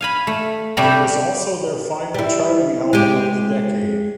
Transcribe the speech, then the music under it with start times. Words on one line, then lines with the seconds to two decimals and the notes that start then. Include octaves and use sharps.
It was also their final charting album of the decade.
0.01 F5 G#5 B5
0.27 A3
0.77 C3 G3 A3 G4 D5 B5
2.14 G3 E4
2.93 G#3 G4